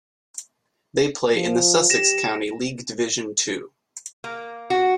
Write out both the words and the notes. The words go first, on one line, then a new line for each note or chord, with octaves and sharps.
They play in the Sussex County League Division Two.
F3
G4 A#6 E7
A#3
F#4